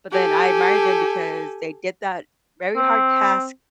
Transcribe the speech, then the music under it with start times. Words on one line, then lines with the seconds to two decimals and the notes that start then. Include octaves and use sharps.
but then I admire them because they did that very hard task
0.11 G4 A4 G#5
2.76 C4